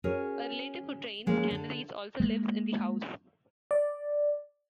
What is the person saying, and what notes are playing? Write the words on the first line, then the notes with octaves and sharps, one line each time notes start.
A relative who trains canaries also lives in the house.
C#4 F#4 G#4 A#4 C#5
F3 G#3 A#3 C#4
D3 A4
G#3 A#3
D5